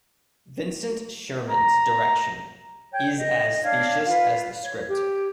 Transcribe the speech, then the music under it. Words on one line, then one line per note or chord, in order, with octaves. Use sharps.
Vincent Sherman's direction is as specious as the script.
A#5
C#5 G5 G6
D#5
D4 C#5 F5 G#6
F4 B4
C#5
G4